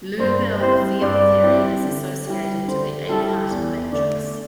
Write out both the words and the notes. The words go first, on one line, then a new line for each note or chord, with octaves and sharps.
Liouville field theory is associated to the A Cartan matrix.
G2 C5
G3 C4 E4 C5
G2 D5
G3 C4 E4
D3
G3 E4 G4
D3 C5
G3 E4 G4 A4
E2
D3 A3 D5